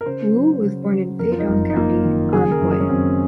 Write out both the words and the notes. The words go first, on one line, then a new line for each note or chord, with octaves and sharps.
Wu was born in Feidong County, Anhui.
A#4
C#3 C5
F#3
C#3
F#3
F2 A#4
F4
D#4
F#1
D#4
A#3 F4
D#3
C#3 G#4
A#4
F#2
G#4
C#4
F#2 C4